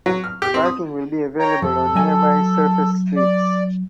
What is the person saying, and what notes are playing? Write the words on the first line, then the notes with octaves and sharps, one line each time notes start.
Parking will be available on nearby surface streets.
F#3
F6
G4
C4
D#6
C#5 G5 A#5
F2 A4
F#3 G#5
D5